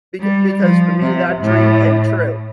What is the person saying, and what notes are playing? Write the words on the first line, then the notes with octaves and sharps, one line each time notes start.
beca because for me that dream came true.
G3
F3
C3
A2